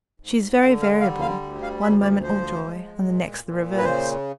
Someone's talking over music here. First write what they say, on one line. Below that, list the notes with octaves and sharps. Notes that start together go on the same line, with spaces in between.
"She is very variable--one moment all joy, and the next the reverse."
G#2
D3 F#5
F5
G3 F5
F5
D2
F5
D2 E5
D5
F3 C5
G#3
A#2
A#2
B4
C#3 C5